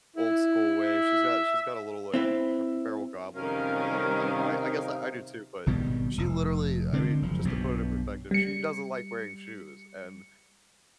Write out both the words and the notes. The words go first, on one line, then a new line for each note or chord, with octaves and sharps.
old school way. She's got she's got a little, like, fe feral goblin in her, like, I don't know, I I guess I do too, but she literally, I mean, just, to put it in perspective, she doesn't like wearing shoes, and
E4
E5
C4 E4 B4
C3 D#3 G3 C#4 D#4 A#4 F5
G#1 B2 D#3 G3
F1
D3 D#3 G#3 C4
F#1 F3
B1 G2 B2
G3 C#7